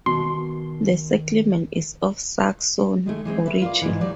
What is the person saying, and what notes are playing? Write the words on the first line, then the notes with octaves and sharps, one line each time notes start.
The settlement is of Saxon origin.
B2 D#3 C6
D#3 G#3 A3
E3 G#3 A#3 C4
B4 E5
F4 A#4 D5
G#2 B2 E3
F#3 G3 A#3 D5